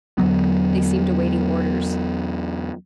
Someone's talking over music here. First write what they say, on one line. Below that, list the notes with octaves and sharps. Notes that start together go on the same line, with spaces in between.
They seemed awaiting orders.
E2 D3 F#3 B3